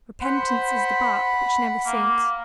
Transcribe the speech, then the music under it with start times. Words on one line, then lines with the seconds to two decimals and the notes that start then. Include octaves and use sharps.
Repentance is the bark which never sinks.
0.22 C5 F#5 B5
1.86 A#3